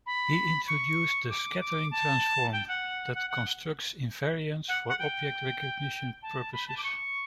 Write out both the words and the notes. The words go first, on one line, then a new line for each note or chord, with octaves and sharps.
He introduced the scattering transform that constructs invariance for object recognition purposes.
B5
C#6
D6
D6
A5
G5
F#5
F#5
F#5
F#5
F#5
G5
A5
B5
A5
D6
C#6